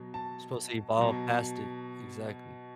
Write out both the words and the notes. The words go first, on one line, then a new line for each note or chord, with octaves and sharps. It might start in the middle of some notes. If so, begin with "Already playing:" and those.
supposed to evolve past it. Exactly.
Already playing: B2 F#3
A5
B2 F#3